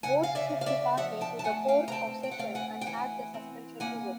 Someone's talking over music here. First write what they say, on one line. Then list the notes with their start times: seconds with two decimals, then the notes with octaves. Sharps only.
Both took the party to the Court of Session and had the suspension revoked.
0.03 C#3 F#5 G#5
0.23 F5
0.35 D5 E5
0.50 C#3
0.61 F5
0.66 D5 E5
0.97 F3 E5 F#5
1.21 G5 A5
1.39 A5
1.44 A3 F#5 G#5
1.68 F5 G5
1.88 A#5
1.92 C4 G5 A5
2.23 G5
2.31 F#5
2.39 A3 F5 G5
2.55 F#5 G#5
2.81 G5
2.86 E3 F#5 G#5
3.34 C4
3.80 A#3 F#5 G#5